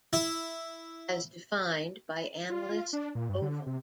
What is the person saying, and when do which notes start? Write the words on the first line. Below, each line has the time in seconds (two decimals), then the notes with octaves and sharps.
As defined by analyst Ovum.
0.13 E4
2.50 F4
2.93 D4
3.15 A#2
3.29 G2
3.42 D3
3.67 C3